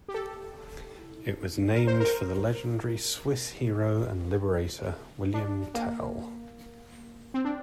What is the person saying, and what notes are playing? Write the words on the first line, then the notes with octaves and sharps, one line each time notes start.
It was named for the legendary Swiss hero and liberator, William Tell.
G4
A4
A#4
C5
A#4
D4
A#3
C4
D4